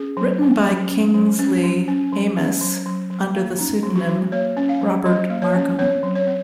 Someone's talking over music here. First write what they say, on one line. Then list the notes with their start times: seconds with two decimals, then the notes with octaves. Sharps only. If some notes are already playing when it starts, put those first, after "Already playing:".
Written by Kingsley Amis under the pseudonym Robert Markham.
Already playing: C#4 G#4
0.17 F#3
0.42 C#4
0.66 F#3
0.90 C#4
1.15 F#3
1.39 C#4
1.64 F#3
1.88 C#4
2.12 F#3
2.37 C#4
2.61 F#3
2.86 F#3
3.10 F#3
3.35 A#3
3.59 C#4 D#4
3.83 F#3
3.96 F#4
4.07 F#3
4.32 A#3 C#5
4.57 C#4
4.69 F5
4.81 F#3
5.06 F#3 D#5
5.30 A#3
5.42 C#5
5.54 C#4
5.79 C4 C#5
6.03 F#3
6.15 C#5
6.27 C4